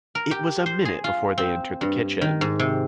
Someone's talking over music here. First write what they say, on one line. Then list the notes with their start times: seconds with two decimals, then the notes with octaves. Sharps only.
It was a minute before they entered the kitchen.
0.15 A#4
0.31 G4
0.66 C5
0.85 G#4
1.04 F4
1.38 C4
1.81 G2
2.21 D#3
2.41 G#2
2.59 C3